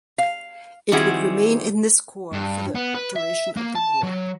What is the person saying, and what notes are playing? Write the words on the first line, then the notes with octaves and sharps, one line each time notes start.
It would remain in this Corps for the duration of the war.
F5
D#3 G3 C4 E4 F#4 G#4
G2
B3
B4
E5
A#3
A5
F#3